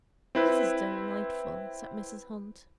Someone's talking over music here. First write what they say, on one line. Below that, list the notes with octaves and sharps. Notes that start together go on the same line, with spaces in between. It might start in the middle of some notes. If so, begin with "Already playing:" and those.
"This is delightful," said Mrs. Hunt.
C4 E4 B4